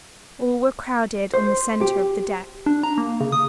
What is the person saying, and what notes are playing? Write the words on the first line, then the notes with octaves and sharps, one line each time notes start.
All were crowded on the centre of the deck.
C5
G4
D4
A#5
A#3
C#3
D#6